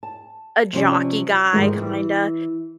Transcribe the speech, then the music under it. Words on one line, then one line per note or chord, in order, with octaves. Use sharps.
a jockey guy kinda,
A5
C3 F3 C#4 D5
G#2 D#3 F3 G#3 A3
E3